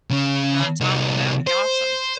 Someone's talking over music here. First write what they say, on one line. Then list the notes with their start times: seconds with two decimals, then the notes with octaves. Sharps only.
an ensemble, that'd be awesome.
0.10 C#3 C#4
0.80 C2 D#4
1.47 C5